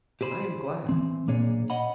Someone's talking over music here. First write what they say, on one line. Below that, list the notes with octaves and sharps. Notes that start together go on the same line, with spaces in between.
"I am glad."
G4 G#4 C5 B5
E3 C4
B1 A#2 A#3 D4 G#4 C#5
C#5 D#5 F#5 B5